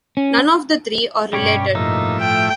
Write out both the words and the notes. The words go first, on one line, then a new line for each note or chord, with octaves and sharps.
None of the three are related.
C#4
G2 B2 G3 C#4 G4 C#5
A2 F3 A#3 D#4 E5
A3 G5